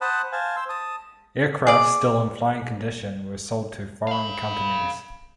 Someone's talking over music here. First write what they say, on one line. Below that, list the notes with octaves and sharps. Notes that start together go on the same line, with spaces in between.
Aircraft still in flying condition were sold to foreign companies.
C5 F#5 A5 B5 D#6 F#6
C5 F5 G#5 A5
C5 C6 E6
A5 D#6
G#4 D5
F5 B5